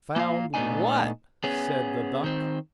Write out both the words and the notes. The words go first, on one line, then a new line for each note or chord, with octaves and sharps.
'Found WHAT?' said the Duck.
A#3 F4 F5
A#2 A3 B3 D4 D#4 G#5
B3 C#4 G#4
D#3 C4